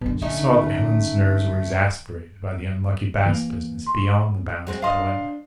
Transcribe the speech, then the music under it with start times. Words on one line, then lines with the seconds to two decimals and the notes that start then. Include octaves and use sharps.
She saw that Helen's nerves were exasperated by the unlucky Bast business beyond the bounds of politeness.
0.01 F#2 B2 D3
0.22 A#1 D3 A3 C#4 D#4 E5
3.26 E3 A#3
3.87 C6 C#6
4.67 F#3 G#3 C4
4.82 D4 D#5 F5 C6 D#6